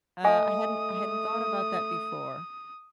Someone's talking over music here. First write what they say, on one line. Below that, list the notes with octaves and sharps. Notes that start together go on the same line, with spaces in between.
Uh, I hadn't I hadn't thought about that before.
A3 D#5 G#5 D#6